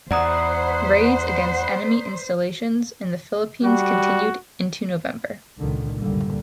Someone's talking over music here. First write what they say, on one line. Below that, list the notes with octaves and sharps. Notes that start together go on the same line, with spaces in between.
Raids against enemy installations in the Philippines continued into November.
E2 C5 D5 F#5 A#5 B5 D#6
G3 F#4
C#2 A#2 D3 D#3
F#1 C2 A2 D3 G3 A#3